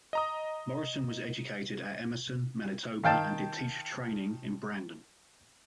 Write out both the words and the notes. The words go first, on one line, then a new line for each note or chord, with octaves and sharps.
Morrison was educated at Emerson, Manitoba, and did teacher training in Brandon.
D#5 A#5 D#6
D#3 F5 G5 A5